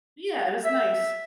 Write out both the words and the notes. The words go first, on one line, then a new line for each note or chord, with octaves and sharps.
Yeah, it was nice.
E5